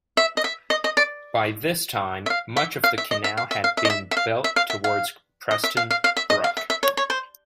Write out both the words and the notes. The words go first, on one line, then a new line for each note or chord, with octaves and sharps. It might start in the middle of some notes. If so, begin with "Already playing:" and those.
By this time, much of the canal had been built towards Preston Brook.
E5
D#5
E5
D#5
D#5
D5
E5
F5
E5
F5
E5
D#5
E5
F5
E5
F5
E5
D#5
E5
E5
F5
E5
F5
E5
F5
D#5
E5
F5
F5
F5
E5
D#5
F5
E5
E5
C#5
C#5
C5